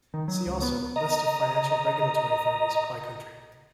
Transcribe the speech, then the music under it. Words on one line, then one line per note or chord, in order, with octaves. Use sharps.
See also List of financial regulatory authorities by country.
D#3
F#3
C#2
B3
D#5 A#5